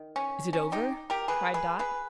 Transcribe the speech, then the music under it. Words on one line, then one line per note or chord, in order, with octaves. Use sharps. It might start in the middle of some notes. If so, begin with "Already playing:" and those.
"Is it over?" cried Dot.
Already playing: D#3
C#4
C#4
D#4 G4
G4 A#4
G#4 B4
G#4 B4
G#4 B4